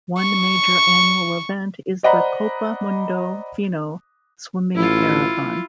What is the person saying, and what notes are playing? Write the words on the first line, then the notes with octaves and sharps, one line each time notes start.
One major annual event is the Copa Mundo Fino swimming marathon.
C#6
C5 D5 D#5 F#5 A#5 B5
A1 E4 F4